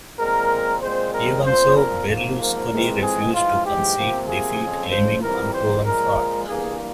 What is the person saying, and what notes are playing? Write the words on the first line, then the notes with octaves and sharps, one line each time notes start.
Even so, Berlusconi refused to concede defeat, claiming unproven fraud.
A#2 G#3 C4 A#4
A#2 G#3 C4 C5
A#4
A#2 F3 C4 C5
A#4
G#2 F3 A#3
A#4
F2 E3 G#3 C4
G#4
G#2 E3 G#3 F4
G4
C3 F3 A#3
G#4
F2 C#3 F3
C5
F2 E3 G3 C4 A#4
C5
A#2 F3 G#3 A#4
G2 E3 A#3 G#4